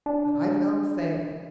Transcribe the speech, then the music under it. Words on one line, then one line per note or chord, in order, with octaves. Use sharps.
But I felt safe.
D4